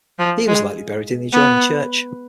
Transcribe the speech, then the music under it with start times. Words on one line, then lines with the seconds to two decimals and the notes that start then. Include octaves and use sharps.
He was likely buried in the adjoining church.
0.19 F3
0.47 G#3
1.33 B3